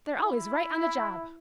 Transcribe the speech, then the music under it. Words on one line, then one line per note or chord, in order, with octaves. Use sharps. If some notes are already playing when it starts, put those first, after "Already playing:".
They're always right on the job.
E4